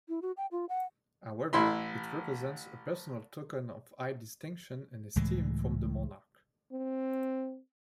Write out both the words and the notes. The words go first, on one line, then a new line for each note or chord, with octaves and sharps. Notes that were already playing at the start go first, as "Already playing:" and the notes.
However, it represents a personal token of high distinction and esteem from the monarch.
E4
F#4
G5
F4
F#5
A1 E4 B5 C6
C#2 A2 E3 G#3
C4